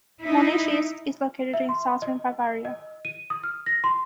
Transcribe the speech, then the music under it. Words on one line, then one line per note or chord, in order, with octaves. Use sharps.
Munich East is located in southern Bavaria.
D#4 E4
E5
C6
D#5
D#5
D#7
D#6
F6
A#6
C6